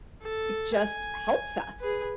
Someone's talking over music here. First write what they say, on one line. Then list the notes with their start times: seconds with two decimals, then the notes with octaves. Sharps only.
it just helps us.
0.23 A4
0.76 G#5
1.80 G#4 B4